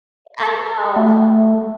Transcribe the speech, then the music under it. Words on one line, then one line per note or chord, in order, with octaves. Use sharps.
I know,
A3